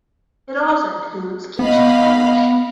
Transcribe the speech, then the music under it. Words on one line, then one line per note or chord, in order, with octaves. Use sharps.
It also includes Keachie College.
B3 D#5 F5 B5